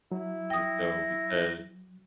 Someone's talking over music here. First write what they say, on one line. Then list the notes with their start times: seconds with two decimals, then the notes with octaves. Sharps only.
And so, because,
0.12 F#3 E4
0.50 G5 D#6 A#6